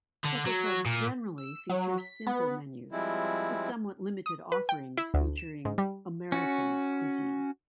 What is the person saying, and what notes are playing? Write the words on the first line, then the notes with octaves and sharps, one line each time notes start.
Supper clubs generally feature "simple" menus with somewhat limited offerings featuring "American" cuisine.
D3
F#3
A#2
E6
F#3
B6
B3
F3 G3 G#3 C4 E4
D#6
B4
G5
E4
D2
E7
G#2
G3
C#4 F#4